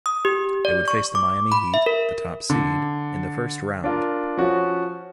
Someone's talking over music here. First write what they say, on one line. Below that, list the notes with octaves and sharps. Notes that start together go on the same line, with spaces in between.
They would face the Miami Heat, the top seed, in the first round.
D#6
G4
D5
C#6
D6
B5
E5
A#4
D3
D4 F4 A#4
F3 C#4 F#4